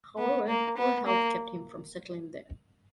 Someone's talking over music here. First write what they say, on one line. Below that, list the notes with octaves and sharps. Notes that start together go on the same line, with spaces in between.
However, poor health kept him from settling there.
B3
A#3
B3
A#3